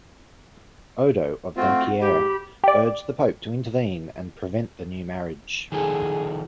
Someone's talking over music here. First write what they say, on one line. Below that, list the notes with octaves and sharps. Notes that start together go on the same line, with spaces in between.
Odo of Dampierre urged the pope to intervene and prevent the new marriage.
A3 C4 F4 F#4
G#2 G4 B5
G4 D5
D#3 F3 G#4 A4